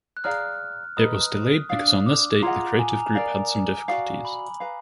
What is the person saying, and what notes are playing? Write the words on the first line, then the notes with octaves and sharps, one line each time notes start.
It was delayed because on this date the creative group had some difficulties.
F#6
G#4 D5 F5 A#5 F6
B4 D#5 A#5 D#6
D4 G#4 D5 F5 D#6
D6
F4 G#4 D#5 F#5 A#5
G#5
A#5
A#4 D5 F5 A#5
F#4 D5 F5
B5
B4 F5 A#5